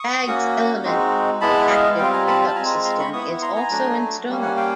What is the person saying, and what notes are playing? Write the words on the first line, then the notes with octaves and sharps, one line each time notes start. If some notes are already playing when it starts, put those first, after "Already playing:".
Baggs Element Active pickup system is also installed.
Already playing: C#6 D#6
A#3 C#4 F#4
G#3 C4 D#4 F#4
G#3 B3 E4 A5 B5
D#5 F5
G3 C4 F4 F5 G5
G#5 A#5
A5 B5
A5
G#3 C4 F4 G#5 A#5
A#5 C6
B5 C#6
B3 E4 C#6 D#6
A#5 C6
G#5 A#5
F#3 A3 D4
G3 A#3 C#4
F#5 G#5
F5 G5